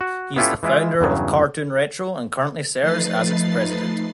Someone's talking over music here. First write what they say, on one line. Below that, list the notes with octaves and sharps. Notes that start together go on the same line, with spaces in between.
He is the founder of CartoonRetro and currently serves as its president.
F#4
B3 C#4 E4 F4 G4 A4
E3 G#3 E4 F4
E2 G2 C#3 F#3
F3 A3 D#4 B4 A6 C7